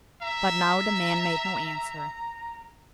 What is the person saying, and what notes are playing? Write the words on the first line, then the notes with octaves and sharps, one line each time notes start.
But now the man made no answer.
E5 A#5